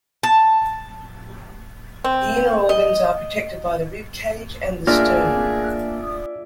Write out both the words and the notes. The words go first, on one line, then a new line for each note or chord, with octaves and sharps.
The inner organs are protected by the rib cage and the sternum.
A5
C4
D#5
A#3 D4 F4 G#4 D5 E5 F6